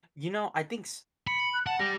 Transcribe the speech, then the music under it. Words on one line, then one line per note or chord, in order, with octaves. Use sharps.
You know, I think s
B5 C#7
F#6
F#5 A5
G3 G4 A#6